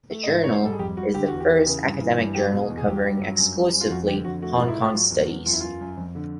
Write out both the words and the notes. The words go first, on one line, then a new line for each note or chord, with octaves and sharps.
The journal is the first academic journal covering exclusively Hong Kong studies.
A3
D#5
G#2 E5
G#2 C#5
C5
G3 A4
G#4
F2 G4
G3 F#4
D3 G4
E2 F#4
G4
E3
C#3
G2
E3
G2
F#3 G4
B2
G#4
E2
G#4
F#3 G4
G2
F#3
F#2
G3
F#2
F4
F2 F#4
D3 G4
F2 F#4
A3 F#4
G#2 F4
E4
G#2 F4
F#3
E2
E2
F#2 F4
E4
F#2 F4
F#2
F2
D3